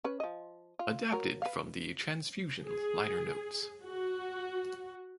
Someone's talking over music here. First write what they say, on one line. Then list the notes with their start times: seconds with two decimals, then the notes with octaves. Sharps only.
Adapted from the "Transfusion" liner notes.
0.04 C#4 B4
0.20 F3 D#5
0.79 F4
1.12 F#3 A#4
1.42 B4 F5
2.66 G#4
3.83 F#4